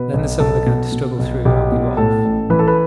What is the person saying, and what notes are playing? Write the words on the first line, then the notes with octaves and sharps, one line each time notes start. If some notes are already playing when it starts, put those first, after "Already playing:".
Then the sun began to struggle through and we were off.
Already playing: B2 B4
B1
B1 A4
B2
B2
B1
B1 G4
B2
A2 A4
A1
E3 B4
A4
B4